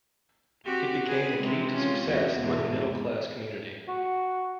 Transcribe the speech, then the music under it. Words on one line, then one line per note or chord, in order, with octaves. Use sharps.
It became the key to success for the middle class community.
C4 F#4 G4
G#4 B4
C3 G#3
C#4 F4
E2 B3 F#4
E2 G#2 B2
F#4